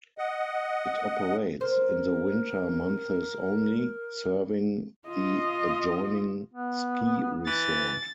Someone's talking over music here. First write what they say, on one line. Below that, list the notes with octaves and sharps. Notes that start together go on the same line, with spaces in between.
It operates in the winter months only, serving the adjoining ski resort.
D#5 F#5
A#4 C5
F4 D#5
B3
E3 A6